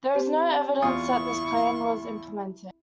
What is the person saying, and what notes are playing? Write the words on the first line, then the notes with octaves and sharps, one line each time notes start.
There is no evidence that this plan was implemented.
C4 G4 C5
E2 E4 F4 C#6 D#6